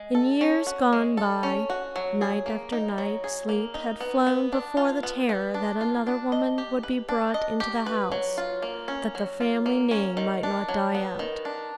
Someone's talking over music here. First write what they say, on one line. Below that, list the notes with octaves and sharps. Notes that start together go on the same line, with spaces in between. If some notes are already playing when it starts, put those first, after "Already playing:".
In years gone by, night after night sleep had flown before the terror that another woman would be brought into the house that the family name might not die out.
Already playing: G#3
A4
C#4
F#4
G#3
A4
C#4
F#4
F#3
G#4
A#3
D#4
F#3
G#4
A#3
D#4
B3
B3
D4
F4
B3
B3
D4
F4
D4
D#5
G4
B4
D4
D#5
G4
B4
F#3
F4
A#3
C#4
F#3
F4
A#3
C#4
D#3
D4
F#3
B3
D#3
D4